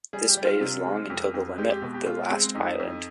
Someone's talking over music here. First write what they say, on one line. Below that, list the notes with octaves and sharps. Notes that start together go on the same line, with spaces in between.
This bay is long until the limit of the last island.
G3 G#4
G4
G3
F4
C3
G#3
F2
F2
G#3 G4
G4
B2
G4
G#3 F4
G#3 C4
F2 D#4
F2